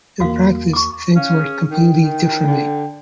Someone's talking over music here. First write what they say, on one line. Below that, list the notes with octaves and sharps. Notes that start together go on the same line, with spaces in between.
In practice, things worked completely differently.
E2 A#3 F#4 F5
C#6 D6
C#4 F5
G#4
D#3 G5
D#3
D3